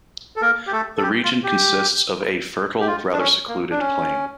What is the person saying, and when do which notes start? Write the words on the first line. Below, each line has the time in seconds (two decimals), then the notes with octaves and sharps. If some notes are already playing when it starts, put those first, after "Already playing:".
The region consists of a fertile, rather secluded, plain.
0.36 A4
0.42 A#3 A#4
0.67 G4
0.72 A3 A4
0.97 A4
1.03 G4
1.23 F4
1.43 G4
2.81 G4
2.87 F4
3.13 D4
3.19 C#4
3.48 A#3
3.71 D4
3.79 C#4